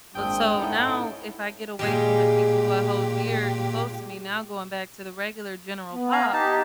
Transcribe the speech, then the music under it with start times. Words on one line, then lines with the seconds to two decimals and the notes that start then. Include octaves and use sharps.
let so, now, if I get away from the people who I hold dear and close to me, now going back to the regular general pop,
0.15 G#1 A#2 G#3 C4 D4 G5 D#6
0.56 A2 B3 C#4 D#4 E4 A4
1.79 A#2 G3 G#3 G4 C#5
5.93 B3
6.12 F5 G#5 A#5
6.33 D#4 G4 A5